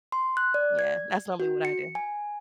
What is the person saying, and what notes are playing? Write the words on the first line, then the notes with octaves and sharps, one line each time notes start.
Yeah. That's normally what I do.
C6
F#6
D5
G#6
F#4
C#7
G#5